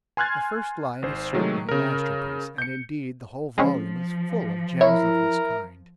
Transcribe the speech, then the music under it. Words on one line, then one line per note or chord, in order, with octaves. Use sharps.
The first line is certainly a masterpiece, and, indeed, the whole volume is full of gems of this kind.
G#5 C6 F6 F#6 G#6 A6
G#1 C5
C3 D#3 F#3 G#3 A3
C#3 A#4
G6 C#7
F3 G#3 C4 C#4
E4 A#4 C#5